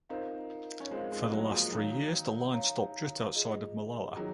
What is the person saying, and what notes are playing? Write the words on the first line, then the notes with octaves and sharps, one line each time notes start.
For the last three years the line stopped just outside of Molalla.
C4 D#4 F4 A#4 F5
C#4
G#3 C4 F4 A#4 F5
G#3 C4
F#3 A#3
F3 G#3
D#3 F#3 C#5 F5 A#5
C#5 F5 A#5
F4 G#4 D#5
D#3 F#3 F4 G#4